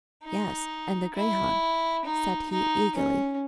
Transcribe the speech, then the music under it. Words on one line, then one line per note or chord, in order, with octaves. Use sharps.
"Yes, and the greyhound," said he eagerly.
D#4
E4
D#4
D#4
C#4